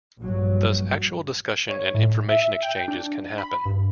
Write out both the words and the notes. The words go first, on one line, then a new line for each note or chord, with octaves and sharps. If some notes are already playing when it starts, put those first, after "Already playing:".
Thus, actual discussion and information exchanges can happen.
A#1 G2 F#3
C#5
A2
E5
G5
D4
B5
G2